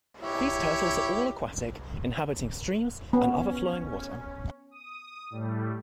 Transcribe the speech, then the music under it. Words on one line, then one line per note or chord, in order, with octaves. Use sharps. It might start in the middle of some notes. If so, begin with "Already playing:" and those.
These turtles are all aquatic, inhabiting streams and other flowing water.
E4 G4 C#5
B3 C#4
D#6
A2 G3 A3